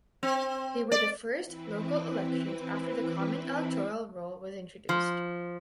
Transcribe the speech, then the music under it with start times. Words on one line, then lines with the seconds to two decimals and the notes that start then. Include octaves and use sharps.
They were the first local elections after the common electoral roll was introduced.
0.23 C4
0.92 D5
1.44 E3 C4 E4 B4
4.89 F3